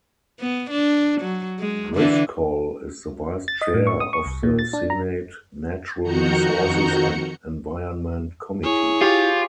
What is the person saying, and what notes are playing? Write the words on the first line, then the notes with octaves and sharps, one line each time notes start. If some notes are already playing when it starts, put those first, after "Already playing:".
Driscoll is the vice chair of the Senate Natural Resources and Environment Committee.
B3
D4
F#3
G#3
D3 E3 D4
A6
D#5
A2
C#6
D#6
C#6
C2
A#2
A6
D4
A#5
F2 D#3 F#4 A#5 G6 C#7
E4 G#4 C#5
F4 G4